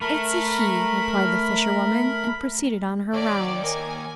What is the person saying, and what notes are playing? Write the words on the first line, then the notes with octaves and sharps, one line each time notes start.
"It's a he," replied the fisherwoman, and proceeded on her rounds.
A3 A#4 B5
D#2 C#5 D5 D6
A#4 G#5